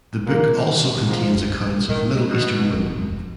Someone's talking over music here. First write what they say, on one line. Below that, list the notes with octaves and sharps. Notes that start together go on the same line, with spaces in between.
The book also contains accounts of middle eastern women.
G#2
A#2 A#3
F#2
G#2 F3
F#2
F#2
F#2
G#2
B2
A#2
B2 D#3
B2
B2
A#2
G#2
F#2
F2